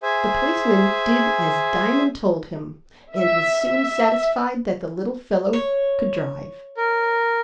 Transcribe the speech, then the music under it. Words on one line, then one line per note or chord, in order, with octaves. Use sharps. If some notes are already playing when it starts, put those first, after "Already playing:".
The policeman did as Diamond told him, and was soon satisfied that the little fellow could drive.
G#4 C5 E5 G#5
E5
E5
C#5
A#4